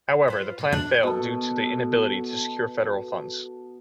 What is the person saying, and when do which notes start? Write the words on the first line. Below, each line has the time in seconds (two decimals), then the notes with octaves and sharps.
However, the plan failed due to the inability to secure federal funds.
0.28 F4 B4 C5
0.59 B2 A#3
0.72 A#2 D4
1.03 B2 A4